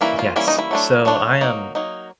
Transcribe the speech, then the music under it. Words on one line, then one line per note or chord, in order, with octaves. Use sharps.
Yes. So I am
E3 G3 A#3 C#4 E4
F4
E3 G3 A#3 C#4 E4
D#4
E4
F#3 A3 D4
F#3 A3 D4
F#3 A#3 D#4
F#3 A#3 D#4